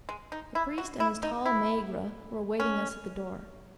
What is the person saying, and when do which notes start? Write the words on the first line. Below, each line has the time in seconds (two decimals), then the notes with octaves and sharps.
The priest and his tall Megaera were awaiting us at the door.
0.09 G#3
0.32 D#4
0.55 E4
0.78 F#4
1.00 E4
1.23 D#4
1.46 E4
2.60 C#4